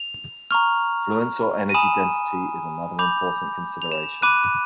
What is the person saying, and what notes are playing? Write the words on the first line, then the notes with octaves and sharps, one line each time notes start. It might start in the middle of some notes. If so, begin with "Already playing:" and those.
Fluence or energy density is another important consideration.
Already playing: F7
A#5 C#6 F6 F7
D#7
G#5 B5 D#6 E7
B5 D6 G6 F7
F7
E7
B5 D6 F#6 D#7